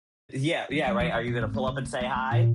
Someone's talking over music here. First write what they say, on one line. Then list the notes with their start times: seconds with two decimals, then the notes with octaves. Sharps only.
Yeah, yeah, right. Are you gonna pull up and say hi?
0.70 F3
0.87 G3
1.00 E3
1.14 D#3
1.27 B2
1.41 G#1
1.54 A3
1.67 C#3
1.85 A#3
2.00 A3
2.15 A3
2.31 A#2